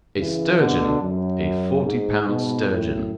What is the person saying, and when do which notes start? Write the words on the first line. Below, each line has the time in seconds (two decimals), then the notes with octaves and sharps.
A sturgeon! a forty pound sturgeon!
0.18 C#3 E3
0.59 B2 D3
1.01 F#2
1.86 G#2
2.28 G#2 B2
2.69 F#2 A2